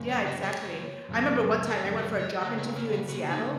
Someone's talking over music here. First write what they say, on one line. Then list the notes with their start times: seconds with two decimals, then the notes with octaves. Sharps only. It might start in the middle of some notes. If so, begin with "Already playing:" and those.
Yeah, exactly. I remember one time I went for a job interview in Seattle,
Already playing: F#2 C#3 A#3
0.09 C#5
0.26 D#5
0.42 C#5
1.09 F#2 C#3 G#3
1.68 A#4
1.75 C#5
1.98 A#4
2.19 C#5
2.41 C#3 A#3 D#5
2.58 C#5
2.76 A#4
2.92 G#4
3.08 F#4
3.31 D#4